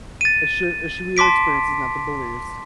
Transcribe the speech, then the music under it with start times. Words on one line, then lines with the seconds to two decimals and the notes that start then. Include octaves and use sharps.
it should it should be their experiences, not the beliefs,
0.21 A6 D#7
1.17 A5 C6 D6 B6 D7